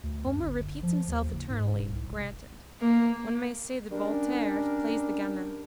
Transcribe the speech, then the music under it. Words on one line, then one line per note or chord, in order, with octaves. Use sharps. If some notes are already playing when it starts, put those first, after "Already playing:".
Homer repeats himself eternally, granted; one may say that Voltaire plays the gamin.
D2
F#2
G1
F3
D#2
F#1
G#2
D#1
C2
F1
A#3
G3 C#4 D4 A#4